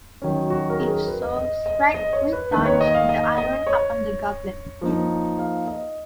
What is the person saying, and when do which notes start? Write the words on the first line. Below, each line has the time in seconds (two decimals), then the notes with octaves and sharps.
If so, strike three times with the iron upon the goblet.
0.22 D#3 F#3 C#4
0.50 F#4
0.70 A#4
0.80 G#4
0.93 A#4
1.08 B4
1.22 D#5
1.36 D#5
1.66 D#5
1.94 D#5
2.13 C#5
2.33 B4
2.51 D#3 A#3 D#4 B4
2.66 C#5
2.81 D#5
2.95 F5
3.09 D#5
3.38 D#5
3.67 C#5
4.81 F3 A#3 D#4
5.39 F5
5.68 D#5